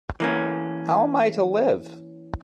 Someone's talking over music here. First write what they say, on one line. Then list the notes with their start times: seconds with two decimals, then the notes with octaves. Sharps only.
How am I to live?
0.20 E3 A#3 C#4